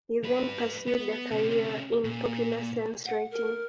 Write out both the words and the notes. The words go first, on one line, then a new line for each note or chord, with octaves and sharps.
He then pursued a career in popular science writing.
G3 B4
B3
C3 C#4
A#2
F#5
A#4